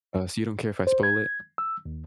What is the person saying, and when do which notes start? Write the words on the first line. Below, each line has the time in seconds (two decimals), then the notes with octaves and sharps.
Uh, so you don't care if I spoil it?
0.87 C5
1.03 G#6
1.58 E6
1.86 D#2